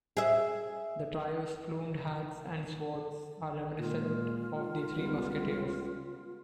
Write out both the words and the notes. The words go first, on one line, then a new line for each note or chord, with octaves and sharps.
The trio's plumed hats and swords are reminiscent of the Three Musketeers.
G#4 E5
A#2 G#3 F4
C#2 G3 B3